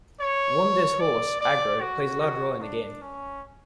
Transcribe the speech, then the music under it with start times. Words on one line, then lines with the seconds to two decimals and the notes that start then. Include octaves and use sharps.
Wander's horse, Agro, plays a large role in the game.
0.20 C#5
1.00 D5
1.41 D5
1.80 F#4
2.20 F#4
2.61 D4
3.01 C#4